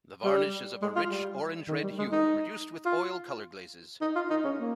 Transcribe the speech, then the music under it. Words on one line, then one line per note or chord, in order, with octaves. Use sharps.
The varnish is of a rich orange-red hue, produced with oil color glazes.
G3
G#3
F4
G3
D#3
G3
G#3
D#4
F4
D#4
F4
D#4
C#4
A#3